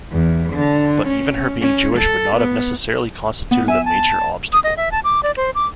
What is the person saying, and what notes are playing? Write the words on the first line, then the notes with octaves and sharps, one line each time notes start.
But even her being Jewish would not have necessarily constituted a major obstacle.
E2
D3
C#4
C#4
A4
B3
B3
E5 G#5
A5
D#6
D#5
E5
A5
D6
D5
C5
D6